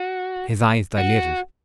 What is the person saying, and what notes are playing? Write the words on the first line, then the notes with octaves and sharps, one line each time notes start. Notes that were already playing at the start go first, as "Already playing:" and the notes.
His eyes dilated.
Already playing: F#4
F#4